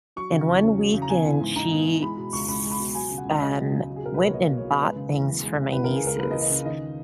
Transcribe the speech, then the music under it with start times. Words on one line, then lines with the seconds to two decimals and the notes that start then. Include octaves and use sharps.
and one weekend, she's um, went and bought things for my nieces
0.16 F#3 C#6
0.32 C#3
0.48 E2
0.63 C#4
0.78 F#3
0.94 C#3
1.02 A#5
1.09 B3 G#5
1.24 E3
1.40 G#2
1.56 D#4 A#5
1.71 B3
1.87 E3
2.02 G#3 B5
2.17 B2
2.33 C#2 C#6
2.48 C#2 B5
2.64 G#3
2.71 B5
2.80 B2
2.94 F#3 G#5
3.10 C#3
3.18 F#5
3.25 C#2
3.41 C#2 D#5
3.56 F#3
3.72 C#3
3.87 F#3
3.96 G#4
4.03 B2 A#4
4.14 B1 B4
4.24 C#5
4.33 A#3 D#5
4.50 F#3
4.57 C#5
4.64 B2
4.80 G#3 B4
4.96 C#3
5.11 E2
5.26 E2
5.42 G#3
5.57 C#3
5.72 E3 B4
5.84 C#3 A#4
5.96 G#4
6.04 C#2 A#4
6.19 A#3 B4
6.31 D#5
6.34 E3
6.42 D#5
6.50 C#3
6.65 D#3 D#5